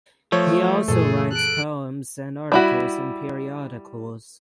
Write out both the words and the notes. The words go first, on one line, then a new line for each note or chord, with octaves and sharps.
He also writes poems and articles in periodicals.
F3 A3 C#5
F#2 A#2 E3 G#4 A4
F#6 D7
G3 E4 F#4